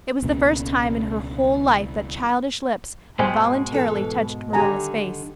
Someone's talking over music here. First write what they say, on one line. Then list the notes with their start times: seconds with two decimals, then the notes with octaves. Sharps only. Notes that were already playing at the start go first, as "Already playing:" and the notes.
It was the first time in her whole life that childish lips had voluntarily touched Marilla's face.
0.22 C#2 B2 A#3 C#4
3.19 G#2 B2 G#3 C5 G5 G#5
3.72 E3 A4
4.53 D3 D#3 G3 G4 G#5 A#5